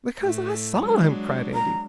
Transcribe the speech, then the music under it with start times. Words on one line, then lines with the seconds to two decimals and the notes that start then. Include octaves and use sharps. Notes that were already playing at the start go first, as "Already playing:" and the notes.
"Because I saw 'em!" cried Andy.
0.22 A2 A3
0.79 F#3 G#3 D4
1.54 A#5